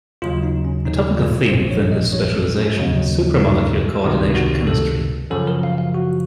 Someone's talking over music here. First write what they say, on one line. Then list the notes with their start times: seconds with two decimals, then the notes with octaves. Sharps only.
A topical theme within this specialization is supramolecular coordination chemistry.
0.22 D#2 C#3 F#3 F4
0.43 D#4
0.65 C#4
0.86 D#4
1.17 F4
1.49 A#1 A#2 F3 C5
1.70 C#5
1.92 D#5
2.13 C#5
2.34 A4
2.56 C#4
2.76 D#2 C#3 F#3
3.40 D#4
4.04 C#2 C3 D#3 F#4
4.35 F#4
4.67 A4
5.30 F#2 C#3 F3 A4
5.47 A#4
5.63 F5
5.78 F5
5.95 F#4